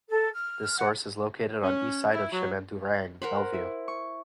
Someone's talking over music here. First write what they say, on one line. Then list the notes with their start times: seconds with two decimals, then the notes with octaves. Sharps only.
This source is located on east side of Chemin du Rang Bellevue.
0.09 A4
0.33 F6
0.77 F#5
1.63 C#4
2.12 E4
2.31 F#3
3.22 A#4 C5 F#5 B5
3.53 E4
3.88 C#6